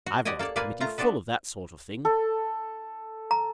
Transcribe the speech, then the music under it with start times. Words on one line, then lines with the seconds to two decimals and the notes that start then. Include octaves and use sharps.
I've got a Committee full of that sort of thing.
0.06 F#4
0.25 F#4 G4 D5 D#5 G5 G#5
0.39 A#3 A4 C#5 D5
0.56 A#2 A#3 B4 D5 F5 G#5
0.80 A3 F4 A#5
0.98 B3 C4 D4 A4 B4
2.05 A4
3.31 A#5